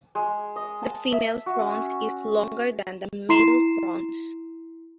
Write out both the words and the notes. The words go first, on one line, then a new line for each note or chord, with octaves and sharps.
The female frons is longer than the male frons.
G#3
D#5
A5
E5
F#4
C#4
E4 A#5 C6 C7 E7